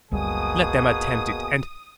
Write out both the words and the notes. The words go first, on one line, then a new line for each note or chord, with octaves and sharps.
"Let them attempt it, and...."
F#1 C#2 B2 G3 A#3 G#4 D#6